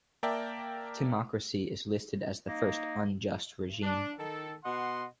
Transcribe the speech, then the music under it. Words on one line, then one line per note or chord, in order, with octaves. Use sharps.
Timocracy is listed as the first "unjust" regime.
A#3 A#4 D5 E5 G5 A5
A#3 D#4
D4
D#3 A4
B2 D#5 F#5 C6